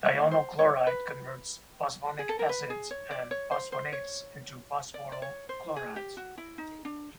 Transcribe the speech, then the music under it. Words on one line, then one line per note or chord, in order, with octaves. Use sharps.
Thionyl chloride converts phosphonic acids and phosphonates into phosphoryl chlorides.
C#5
C5
C#5
B4
G#4
A4
A#4
B4
G#4
C#5
D5
C#5
C5
C5
C#5
D5
D5
C#5
C5
G#4
G4
F#4
E4
D#4
D4